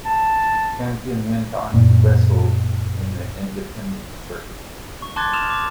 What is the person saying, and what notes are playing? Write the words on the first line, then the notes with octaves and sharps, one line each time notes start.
Champion went on to wrestle in the independent circuit.
A5
F#1 A#2
C#6
A5 C6 D6 F#6 G#6 A6
C6 D#6 F6 E7 F7
D6